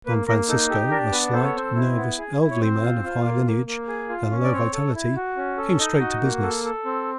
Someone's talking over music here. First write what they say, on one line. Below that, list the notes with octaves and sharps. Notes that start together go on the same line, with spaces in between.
Don Francisco, a slight, nervous, elderly man of high lineage and low vitality, came straight to business.
A#3 B4
A#3 A#4
D#4 A4
G4 A4
D4 A#4
B3 B4
A4 C5
C#5
C4 C5
E4
B3
G#4
E4
C#5
C4 C5
F4
F4
A#3
A#3
A#3
G#4
F4
C#4
D5
C4 C#5
A4
E4
F#4
C#4
A4
D#4 D#5
F#4
A#3
A4
A4
C4